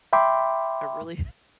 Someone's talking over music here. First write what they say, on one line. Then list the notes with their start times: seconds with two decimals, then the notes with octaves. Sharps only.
a really
0.13 E5 G5 B5 C6 D6